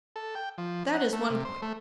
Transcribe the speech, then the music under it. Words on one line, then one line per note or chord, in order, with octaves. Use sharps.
That is one point.
A4
G5
F3
F#5
A3
C3
C5
A3